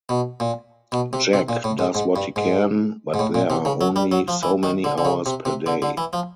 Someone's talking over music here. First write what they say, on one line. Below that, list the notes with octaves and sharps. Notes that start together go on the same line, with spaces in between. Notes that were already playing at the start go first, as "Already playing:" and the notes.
Jack does what he can, but there are only so many hours per day.
B2
A#2
B2
C3
C3
A#2
A2
G#2
G#2
G2
G#2
G#2
A2
A#2
C3
C#3
F#3
G3
F#3
F3
E3
D#3
D3
D3
C#3
C3
C3
D3
D3
E3
F3